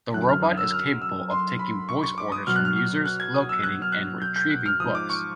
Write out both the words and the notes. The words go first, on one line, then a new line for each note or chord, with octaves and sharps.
The robot is capable of taking voice orders from users, locating, and retrieving books.
F#2 D3 F#3 F#6
F6
D#6
E6
F6
E6
C6
B5
C#6
C#6
D6
D#6
B2 F#3 F6
F#6
F6
F6
F#6
G#6
D#6
E6
F#6
F6
F#6
G6
G6
F#6
F6
G#2 F3 D#6
D6
C#6